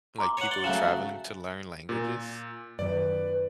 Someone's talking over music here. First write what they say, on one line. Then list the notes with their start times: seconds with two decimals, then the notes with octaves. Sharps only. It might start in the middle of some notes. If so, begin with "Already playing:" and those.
Like, people traveling to learn languages.
0.19 A#5 C6 D6
0.37 C#5 F#5
0.51 D5 G7
0.64 C#3 F#3 A3 E7
1.89 A#2
2.79 F#2 D#3 B4 D5